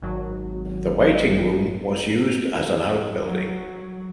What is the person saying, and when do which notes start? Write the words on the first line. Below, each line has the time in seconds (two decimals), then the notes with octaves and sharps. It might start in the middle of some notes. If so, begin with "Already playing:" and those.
The waiting room was used as an out building.
0.02 G#1 F#3
3.21 F#3